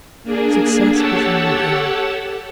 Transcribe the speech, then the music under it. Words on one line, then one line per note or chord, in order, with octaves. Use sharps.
Success was in the air.
A#3 D4 G#4
G4 A4 C#5 F#5 A5 E6